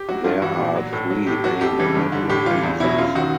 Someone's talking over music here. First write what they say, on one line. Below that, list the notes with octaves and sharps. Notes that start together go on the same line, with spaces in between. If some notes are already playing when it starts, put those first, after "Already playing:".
There are three main hypotheses.
Already playing: G4
F#3 F#4
G2 F4
E3 G3 F#4
A#2
F#3
A2
F#3
A2 G4
F#3 F#4
F2 G4
C#3 E3 G3
G2
D3 G3
A2 G4
E3 G3 F4
E2
B2 F#3 E4
F#2 F4
D#3 F#3 F#4